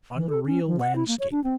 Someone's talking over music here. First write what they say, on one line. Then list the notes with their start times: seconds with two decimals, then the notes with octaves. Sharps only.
Unreal landscape!
0.16 E3
0.29 A4
0.46 C#4
0.67 F3
0.80 F#5
0.96 E4
1.08 A#3
1.20 C#5
1.31 D4
1.44 C4